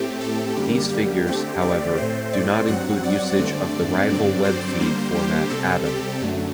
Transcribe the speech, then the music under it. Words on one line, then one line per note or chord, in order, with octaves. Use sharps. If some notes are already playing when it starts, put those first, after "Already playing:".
These figures, however, do not include usage of the rival web feed format Atom.
Already playing: A2 A3 C4 G4
A4
F#2 D3 G3 A#3 G4
G4
D3 A3 C4 G4
D5
A2 A3 C4 C5
D5
G2 F#3 C4 F#5
D5
G2 D3 A3 C4
G2 D3 F#3 C4
C5
D3 G3 A#3 C5
G4
C3 G3 C4 A4
G4
F#2 D3 F#3 A3